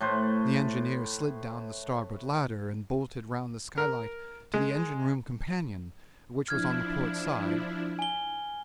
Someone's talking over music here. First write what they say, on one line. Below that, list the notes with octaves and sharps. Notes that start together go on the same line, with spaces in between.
The engineer slid down the starboard ladder and bolted round the skylight to the engine-room companion which was on the port side.
A2 A3 B4 C5
A#4
G#3
F3 D4 E4 F6 G#6
G#5 G7